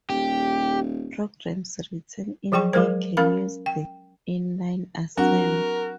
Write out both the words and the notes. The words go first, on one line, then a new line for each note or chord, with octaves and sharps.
Programs written in D can use the inline assembler.
D#1 G4
F3 F#3 G#4 G5 C#6
F#3 G#3 G#4 A#4 C5
C#4 A#4 F5 B5
G5
F#3 C4 D4 F#4 A#4